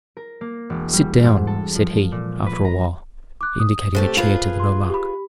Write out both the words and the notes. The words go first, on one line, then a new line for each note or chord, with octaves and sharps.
"Sit down," said he, after a while, indicating a chair to the nomarch.
A#4
A#3
E1
G3
G#2
A4
F3
A#2
B4
A#5
D6 F#6
D#6
C3 A3 G4 C5
F4 G#4 B4
C6
G4 B5